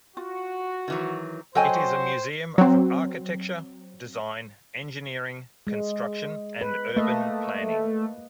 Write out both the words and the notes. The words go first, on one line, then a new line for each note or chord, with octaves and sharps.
It is a museum of "architecture, design, engineering, construction, and urban planning".
F4 F#4
D#3 E3 F#3
F#3 A4 C5 C#5 D#5 G5 G#5
F#3 C4
G#3
B4
A3 A#3 D#5